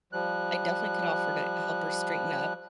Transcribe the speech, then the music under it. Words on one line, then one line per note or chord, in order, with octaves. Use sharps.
I definitely could offer to help her straighten up.
F3 G3 F#6